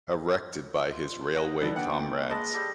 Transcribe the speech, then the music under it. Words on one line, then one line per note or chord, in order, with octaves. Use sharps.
Erected by his railway comrades.
F4
D#5 F#5 A#5 D#6
E3 G3 D#4 A4 B4
D3 A#3 F#5 G5
G#3 D#5 A5 B5 E6 A#6
G3 G4 A4